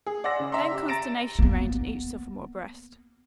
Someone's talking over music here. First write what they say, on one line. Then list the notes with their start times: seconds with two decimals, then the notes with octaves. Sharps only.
Then consternation reigned in each sophomore breast.
0.06 G#4
0.24 D5 F#5 C6 E6 A#6
0.40 C#3
0.52 D5 E5 A#5 C6
0.71 G4
0.88 A#5 A6 A#6 D7 E7
1.39 A#3 B3